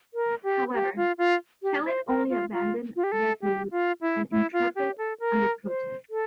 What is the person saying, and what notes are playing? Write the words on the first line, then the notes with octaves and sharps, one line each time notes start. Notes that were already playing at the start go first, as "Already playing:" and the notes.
However, Kellett only abandoned "Resolute" and "Intrepid" under protest.
A#4
G4
G4
F4
F4
G4
C5
A#4
F4
F4
F4
G4
A4
G4
F4
E4
E4
F4
G4
A4
A#4
C5
A4